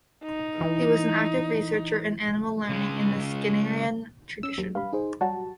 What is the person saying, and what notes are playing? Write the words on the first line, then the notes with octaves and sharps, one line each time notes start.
He was an active researcher in animal learning in the Skinnerian tradition.
D#4
E3
C#3 G#3
C#4 E6
D#2 F#3
G2 F5 B5
D#4 G#4 C5
F#3 G3 F#4 A5